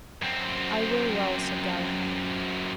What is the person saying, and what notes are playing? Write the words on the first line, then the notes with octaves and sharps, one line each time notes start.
I will well, said Galahad.
F#2 C4